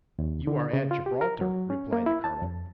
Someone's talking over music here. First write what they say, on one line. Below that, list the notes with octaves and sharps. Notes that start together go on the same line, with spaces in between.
"You are at Gibraltar," replied the colonel.
D#2
D3
C#3
F4
G4
A#4
F#3
C#4
A#3
E4
A5
F2